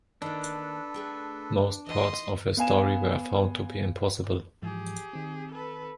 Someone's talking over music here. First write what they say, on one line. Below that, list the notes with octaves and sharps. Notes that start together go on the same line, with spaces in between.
Most parts of his story were found to be impossible.
D#3 A#3 D4 A4 B4
A3 G#4 G5
E3 D#4 D#5 C6
B3 F5 G#5 E7
G#2 E3 F3 G4 G#4
D#3 C4
A4 B4